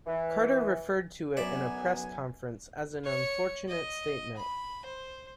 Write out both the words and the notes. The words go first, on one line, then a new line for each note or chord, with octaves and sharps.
Carter referred to it in a press conference as an "unfortunate statement".
E3
B1 F#2 F#3 B3 D5 E5 G#5
C#5 C#7
D#5
B5
C5